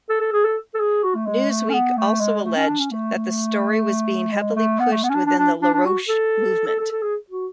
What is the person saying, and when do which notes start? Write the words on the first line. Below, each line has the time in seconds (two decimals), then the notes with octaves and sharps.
"Newsweek" also alleged that the story was being heavily pushed within the LaRouche Movement.
0.09 A4
0.20 A4
0.32 G#4
0.44 A4
0.75 A4
0.80 G#4
1.03 F#4
1.15 A3
1.26 G#3
1.50 A3
1.69 C#4
1.74 B3
1.97 A3
2.20 G#3
2.44 A3
2.56 C#4
2.68 D4
2.79 C#4
2.91 A3
3.14 A3
4.32 G#3
4.55 A3
4.80 B3
4.92 A3
5.03 B3
5.10 C#4
5.14 D4
5.26 D4
5.39 D4
5.62 D4
5.73 D4
5.85 F#4
6.09 A4
6.67 A4
6.80 A4
6.91 A4
7.02 G#4
7.30 F#4